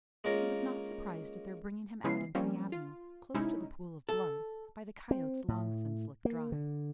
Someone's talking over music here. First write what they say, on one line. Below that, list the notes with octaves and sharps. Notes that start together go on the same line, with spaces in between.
He was not surprised at their bringing him out into the avenue--close to the pool of blood--by the coyotes long since licked dry.
G#3 A#3 C#4 F4 A#4
C#3 G#3 B3 C#4 E4 C7
F3 G3 A#3 C4 C#4
F4
C3 G#3 C#4 D#4 E4
A4
C4
A2
A#3
D3